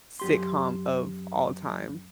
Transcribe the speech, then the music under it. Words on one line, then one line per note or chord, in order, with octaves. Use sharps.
sitcom of all time.
F#2 G4 C6